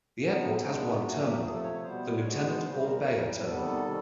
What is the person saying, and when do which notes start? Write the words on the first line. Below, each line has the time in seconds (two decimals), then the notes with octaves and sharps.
The airport has one terminal, the Lieutenant Paul Baer Terminal.
0.23 B2 F#3 B3 C#4
0.35 D4
0.43 C#4
0.59 D#4
0.62 C3 D#3 G#3 B3 D4
1.03 A#2 F#3 A3 F#4
1.23 G4
1.43 C3 F3 A3 G#4
1.54 A4
1.63 C#5
1.73 C#5
1.83 B2 G3 B3 C5
2.23 B2 G#3 B3 C#5
2.43 C5
2.63 C#3 E3 G3 C5
2.83 A#4
3.03 A2 E3 G3
3.43 C3 D#3 G3 B3 A4
3.84 C3 D#3 G3